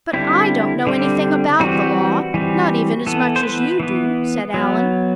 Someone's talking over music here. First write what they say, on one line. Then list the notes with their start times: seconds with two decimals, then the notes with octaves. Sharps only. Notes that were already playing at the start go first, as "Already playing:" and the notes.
"But I don't know anything about the law, not even as much as you do," said Allan.
0.13 D3 G3 C4 E4
0.87 D3 G3 C4
1.60 E3 G3 C4 F#4
2.34 E3 G3 C4
3.06 E3 B3 A4
3.36 C5
3.43 B4
3.80 E3 B3
4.54 F#3 B3